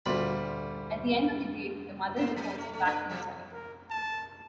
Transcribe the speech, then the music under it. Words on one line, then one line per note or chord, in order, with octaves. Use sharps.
At the end of the date the mother reports back to the child.
D2 A#2 G3 B5
A#3 E4 C5
F#3
A3
A3
D4 B4
C3 F3 G3
A#4
A5